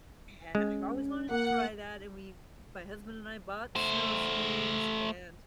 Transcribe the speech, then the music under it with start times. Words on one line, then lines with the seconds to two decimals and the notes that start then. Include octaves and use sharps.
And I've always wanted to try that, and we, my husband and I, bought snowshoes, and
0.55 G#3 C#4
1.30 A#3 A#4 F#5
3.76 A3 C5